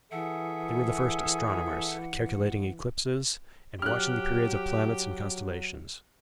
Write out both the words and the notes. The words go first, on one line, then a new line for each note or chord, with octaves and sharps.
They were the first astronomers, calculating eclipses, and watching the periods of planets and constellations.
E3 G#4 A4 E5 F#5
F#3 G4 F6 F#6